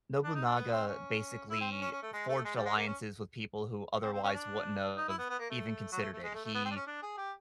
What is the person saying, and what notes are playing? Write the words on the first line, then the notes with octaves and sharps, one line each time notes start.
Nobunaga basically forged alliances with people who otherwise wouldn't of even considered it. He,
D4
D#4
D4
B3
C4
C#4
E4
C4
C#4
C#4
C#4
A3
G#3
A3
G#3
G3
G#3
A#3
C#4
C4
C4
C#4
D4
D#4
E4
B3
B3
A#3
A3
F#3
A3
A3
G#3
A3
A3
B3
C4
D4
C#4
D4
G#4
G4